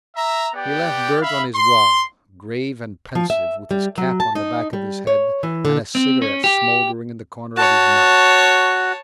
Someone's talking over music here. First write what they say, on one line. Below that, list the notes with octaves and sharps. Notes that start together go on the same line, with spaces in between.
He left Bert on his wall, grave and pensive, with his cap on the back of his head, and a cigarette smouldering in the corner of his mouth.
E5 A#5
B3 G4 D5 G5
E5 F5 B5
C6
F3
E5
G3
F#3
A5
D#4
G3
C#5
E3
D3
C4
C#4
G4
F#4 C#5 A5